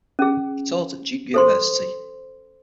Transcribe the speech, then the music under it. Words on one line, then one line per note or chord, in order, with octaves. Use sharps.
He taught at Duke University.
C#4 G#4
A4 C5 C6